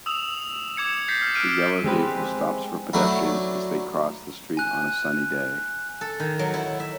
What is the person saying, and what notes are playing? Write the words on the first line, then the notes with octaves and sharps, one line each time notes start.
A yellow vehicle stops for pedestrians as they cross the street on a sunny day.
D#6 E6 E7 F7
D6 G#6 C#7 E7
G6 A6 B6 C7
F6
F6 F#6 D7 D#7
F6
G#3 C4 G4 B4
F#3 A3 D4 E4
G#5 F#6
A4
D#3
F#3
E4
E5